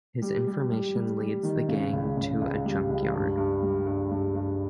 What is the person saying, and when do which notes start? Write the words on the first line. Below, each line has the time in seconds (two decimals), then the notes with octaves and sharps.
His information leads the gang to a junkyard.
0.22 G3
0.47 G3
0.72 G3
0.96 G3
1.20 G3
1.43 D#3
1.68 C#3
1.93 C#2
2.17 C#3
2.41 C#2
2.65 G3
2.89 C#2
3.14 G2
3.37 G2
3.62 G3
3.86 G2
4.11 G2
4.35 G2